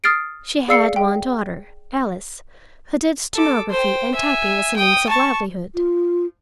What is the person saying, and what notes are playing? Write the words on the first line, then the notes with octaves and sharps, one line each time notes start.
She had one daughter, Alice, who did stenography and typing as a means of livelihood.
D#6 F6 A6 C7 D7
G#4 D5 F5 E6 C7 C#7
G5
A4 D6
C5 G5
E5 G#5
G5 D#6
A5 C#6
F4